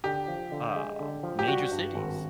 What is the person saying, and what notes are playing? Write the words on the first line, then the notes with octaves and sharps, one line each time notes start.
uh, major cities.
D3 G4
F3
D3
G#3
D3
F3
G4
G3 F#4
G2
G#1